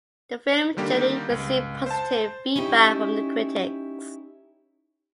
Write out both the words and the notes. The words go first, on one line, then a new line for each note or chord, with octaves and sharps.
The film generally received positive feedback from the critics.
D3 D#3 G3 A#3 G4
C#2
C5 A5
C#4 D#4 E4 G4